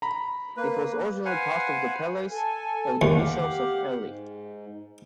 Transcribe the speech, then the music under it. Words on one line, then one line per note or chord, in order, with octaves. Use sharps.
It was originally part of the palace of the bishops of Ely.
A#5 B5
A#3 B4
B4 C5 F5 F#5 G#5
A4 G#5
D#2
G4 F5 F#5
G#2